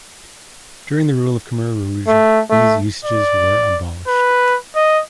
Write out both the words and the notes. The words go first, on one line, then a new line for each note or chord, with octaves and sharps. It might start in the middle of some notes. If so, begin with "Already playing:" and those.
During the rule of the Khmer Rouge, these usages were abolished.
A3
A3
D5
B4
D#5